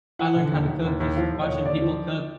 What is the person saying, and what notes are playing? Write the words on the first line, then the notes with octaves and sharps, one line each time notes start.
I learned how to cook- just watching people cook
F3 F#5
D3
D#2
D#2
D#2
D#2
F3 F5
D#2
C#5
D3
D#2 D5
F3